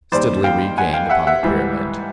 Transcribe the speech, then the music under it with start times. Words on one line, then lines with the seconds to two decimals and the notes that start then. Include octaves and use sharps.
Steadily we gained upon the pyramid.
0.12 D#2 D#3 G3 C5 D5
0.44 F5 G5
0.78 F#5 G#5
0.93 F5 G5
1.10 E5 F#5
1.27 E5 F#5
1.43 G#2 E3 G3